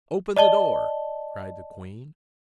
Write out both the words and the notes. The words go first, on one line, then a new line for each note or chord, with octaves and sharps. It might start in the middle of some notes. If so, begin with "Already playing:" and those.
"Open the door!" cried the queen.
D5 D#5 A5 G7